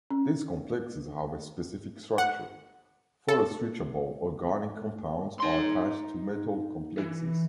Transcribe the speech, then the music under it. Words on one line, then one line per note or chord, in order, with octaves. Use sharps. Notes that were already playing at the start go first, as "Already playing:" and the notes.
These complexes have a specific structure: photoswitchable organic compounds are attached to metal complexes.
C#4
F#5
A4
D#4 C6
E3